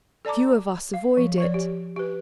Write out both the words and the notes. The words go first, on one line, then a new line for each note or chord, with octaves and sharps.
Few of us avoid it.
A4 D5 A5 A#5 D6
F5
F3
F3 C#5 D5
G4
G4 B4